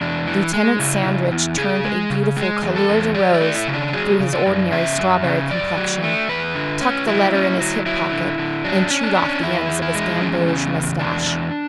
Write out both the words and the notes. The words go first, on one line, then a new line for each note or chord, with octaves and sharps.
Lieutenant Sandridge turned a beautiful /couleur de rose/ through his ordinary strawberry complexion, tucked the letter in his hip pocket, and chewed off the ends of his gamboge moustache.
E2 D4
E3
G#3
C#3 E4
C#3
E2
C#3 G#4
G#3
C#3
G#3 G#4
E2
A4
E2
F#3 D5
D5
A3
E4
C#3
D4
F#3 G#4
C#3
D5
F#2
C#3 E5
F#2
C#3
F#2 D5
F#3
A3
E2 B4
D3
C#4
F#3 E4
C#4
F#3
F#3 E4
D3
D3
F#3 D4
C#4
D4
C#4
E2 E4
E2
E4
G#3
E2 C#4
C#3
E2
E2 D4
E2